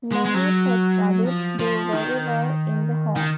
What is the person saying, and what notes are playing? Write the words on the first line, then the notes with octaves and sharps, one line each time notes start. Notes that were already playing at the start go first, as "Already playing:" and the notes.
Many pet rabbits do very well in the home.
G#3
G#3
F#3
F3
F3
D#3
D#3